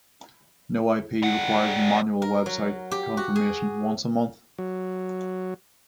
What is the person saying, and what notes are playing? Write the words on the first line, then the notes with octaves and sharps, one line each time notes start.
No-ip requires manual web site confirmation once a month.
G3 F#5
A#4
F#3
G4
F#4
G#4
F#3